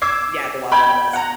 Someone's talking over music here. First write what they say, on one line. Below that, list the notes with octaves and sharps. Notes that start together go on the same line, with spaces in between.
Yeah, the Wild Wild West.
D6 E6 G#6 C7
G5 B5 G6 G#6
F#5 A#5